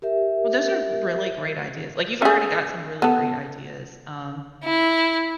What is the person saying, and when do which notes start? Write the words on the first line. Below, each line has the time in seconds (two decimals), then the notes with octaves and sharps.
Well, those are really great ideas, like, you've already got some really great ideas, um
0.02 G4 A#4 E5
2.22 C#4 G#4
3.02 B3 A4
4.64 E4